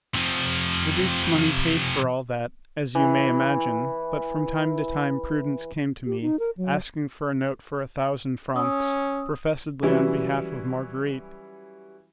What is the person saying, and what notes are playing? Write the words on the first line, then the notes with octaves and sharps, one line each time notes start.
The duke's money paid for all that, as you may imagine; but from time to time Prudence came to me, asking for a note for a thousand francs, professedly on behalf of Marguerite.
C3 F3
E3 E4
G4
D#4
A#4
F#3
C#4 D#6 E6
E3 F#3 G3 C#4 E4